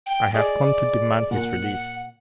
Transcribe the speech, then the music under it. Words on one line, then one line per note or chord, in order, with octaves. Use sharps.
"I have come to demand his release."
G5
G#4 D5 D#5
A#2 F#5